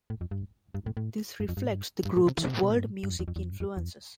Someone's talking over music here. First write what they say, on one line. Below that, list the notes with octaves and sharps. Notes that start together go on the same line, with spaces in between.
This reflects the group's world music influences.
A2
F2
G2
G2
A2
A2
G2
F2
G2
A2
G2
G2
A2
C3
E3
C3
A2
B2
A2
G2
A2
G2
F2
E2
F2
E2
F2
G2
F2
E2
F2